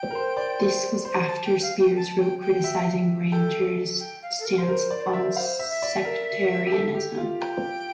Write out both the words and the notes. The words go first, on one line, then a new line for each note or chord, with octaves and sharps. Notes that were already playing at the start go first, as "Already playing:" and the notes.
This was after Spiers wrote criticising Rangers stance on sectarianism.
Already playing: G5
A#4
C5
D5
C5
C5
A5
G5
F5
G5
A5
G5
G5
E5
A4 G5
G5
F5
A4
A#4
C5
A#4 C5
D5
C5
D5
E5
C5 F5
E5
E5
D5
A#4
G4
A4
G4
F4
G5